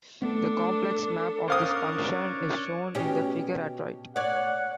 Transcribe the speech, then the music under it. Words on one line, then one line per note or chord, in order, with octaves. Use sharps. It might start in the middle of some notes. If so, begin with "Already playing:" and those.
The complex map of this function is shown in the figure at right.
A3 B3 D4 A4
C#4 D4 A#4 C5 F5 D#6
B2 C#4 G4
C#5 D5 F#5